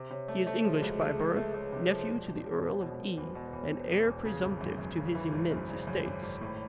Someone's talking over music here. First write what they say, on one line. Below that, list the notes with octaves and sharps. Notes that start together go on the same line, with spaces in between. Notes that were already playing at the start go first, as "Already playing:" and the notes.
He is English by birth, nephew to the Earl of E., and heir presumptive to his immense estates.
Already playing: C3 C5
C3 C#5
A3 D5
A3 C5
F3 G#4
F#4
C#2 G4
A3 G#4
C#2 A4
A3 B4
A3 C#5
C3 C#5
C5
F3 C#5
E1 D5
E1 D5
E1 C#5
B2 C5
B2 C5
E1 A#4
B4
E2 C5
B2 D5
E2 C#5
E1 C5
E1
E2 B4
C#3
G#1
F#2
F#2
C#3
E3
G#1 C5
F#2 C5
C#3 D5
F#2 C#5
G#1
G#1
A2